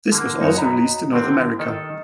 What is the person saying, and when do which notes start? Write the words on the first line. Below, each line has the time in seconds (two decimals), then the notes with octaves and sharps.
This was also released in North America.
0.12 D3 A#3
0.41 F#2 D#4 F#4 C#5
0.55 D#5 A#5 B5
1.13 D3 D#3 C4 G4
1.59 D#3 A4 D#5